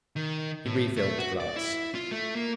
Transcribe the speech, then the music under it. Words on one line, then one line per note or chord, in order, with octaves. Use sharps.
He refilled the glass.
D#3
A2
A3
F#4
D5
E4
F4
A3
A#3